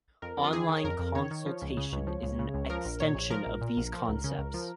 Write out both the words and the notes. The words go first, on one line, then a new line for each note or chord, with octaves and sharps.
Online consultation is an extension of these concepts.
F2 A#4
F2
F4
D#3 G#4
D#3
C#5
F2 A#4
F2
D#3 C#5
D#3
F3
C#2
C#3
C#2
F3
C#2
C#3
C#2
F3 A#4
A#1
A#2 C#5
A#1
F3 A#4
A#1
A#2
A#1
F3
C#2
C#3
C#2
F3